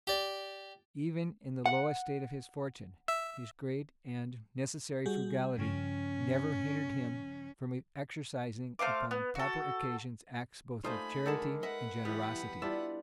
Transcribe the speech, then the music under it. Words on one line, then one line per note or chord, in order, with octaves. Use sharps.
Even in the lowest state of his fortune, his great and necessary frugality never hindered him from exercising, upon proper occasions, acts both of charity and generosity.
G4 D5
F#5
E5 E6
G3 F#4 G#4
G2 C#3 F3 C#4
A3 C5 F5 D6
B3
F#4 A4
A3 A#3 D#4 F4 C5 G#5 B5
D3 G#3 D#4 A4 A#4 F#5 A5
B4 D#5 E5 F#5
E3 G3 B3 E4
G3 D4 E4 F4 E5